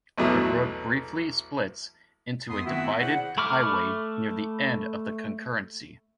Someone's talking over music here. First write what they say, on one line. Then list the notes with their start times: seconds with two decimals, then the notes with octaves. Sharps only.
The road briefly splits into a divided highway near the end of the concurrency.
0.18 A1 E2 B2 F#3 A3
2.49 F#2 B3 C6 D#6
2.65 D#3 A3 B3 C4 E4 F#4
3.00 E4 G#4 C5 D5 F#5
3.38 A3 B5 C#6 D6 F6